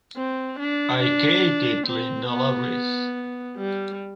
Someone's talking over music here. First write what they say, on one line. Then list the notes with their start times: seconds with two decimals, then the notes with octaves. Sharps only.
I created Linda Lovelace.
0.16 C4
0.59 D4
1.01 D4
1.87 C4
2.29 B3
3.57 G3